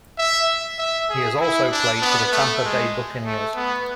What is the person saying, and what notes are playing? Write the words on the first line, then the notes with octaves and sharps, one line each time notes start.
He has also played for the Tampa Bay Buccaneers.
E5
E5
G#4
E4
D4
B3
A3
G#3
A3
B3